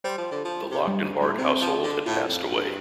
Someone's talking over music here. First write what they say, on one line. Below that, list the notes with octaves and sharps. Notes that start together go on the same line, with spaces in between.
The locked and barred household had passed away.
G3 C5
F3
D3
F3
C3 G4
G2 G3
G2
A2 G3
A3
C3 C4
F3
D3
A2 F4
F2
G2